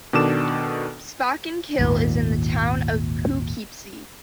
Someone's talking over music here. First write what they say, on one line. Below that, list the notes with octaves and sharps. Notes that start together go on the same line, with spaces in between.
Spackenkill is in the town of Poughkeepsie.
B2 D#3 D4 A4 D6 E7
G#1 D#2 A#2